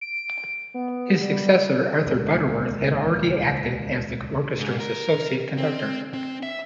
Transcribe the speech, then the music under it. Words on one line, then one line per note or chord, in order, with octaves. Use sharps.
His successor, Arthur Butterworth, had already acted as the orchestra's associate conductor.
D7
B3
G3
D#1 C#2
G#2
A#4
C4
C4
E5